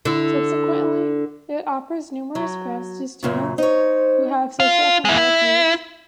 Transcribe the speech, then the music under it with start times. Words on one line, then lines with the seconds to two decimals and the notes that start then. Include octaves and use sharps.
Subsequently, it offers numerous grants to students who have socio-economic needs.
0.05 D3 E4
2.35 F#3
3.23 F#2 A#2 C#3
3.58 D#4 C5 C#5
4.60 F4
5.05 G#3 E4
5.18 E4